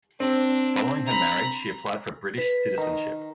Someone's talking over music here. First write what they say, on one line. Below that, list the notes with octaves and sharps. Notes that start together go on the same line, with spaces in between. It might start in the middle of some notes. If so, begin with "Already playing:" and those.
Following her marriage she applied for British citizenship.
C4 D4
A#5 B5
B4 B6
D#3 D#5 A#5